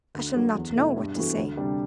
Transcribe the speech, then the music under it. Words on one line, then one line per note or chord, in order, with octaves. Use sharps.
'I shall not know what to say.'
D2
D3 F#3
E2
B2 A3 E4
G2
E3 B3 F#4 A4
D2
C3 G3 D4